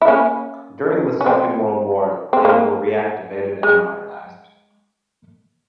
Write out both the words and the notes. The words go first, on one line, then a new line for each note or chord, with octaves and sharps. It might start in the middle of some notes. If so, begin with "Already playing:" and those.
During the Second World War they were reactivated and modernised.
E4
A#3 C#4
C#4
C4
C4
A#3
G#3